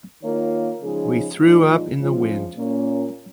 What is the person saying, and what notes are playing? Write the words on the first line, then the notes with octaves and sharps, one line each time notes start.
We threw up in the wind.
D#3 A#3 F4 C#5
C#3 F3 G#3 D#4 G#4
A#2 F3 G#3 D#4
G#2 F3 G#3 C#4 F4
A#2 A#3 C#4